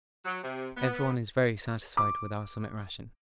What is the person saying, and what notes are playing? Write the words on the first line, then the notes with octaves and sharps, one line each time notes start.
Everyone is very satisfied with our summit ration.
F#3
C3
B3
D6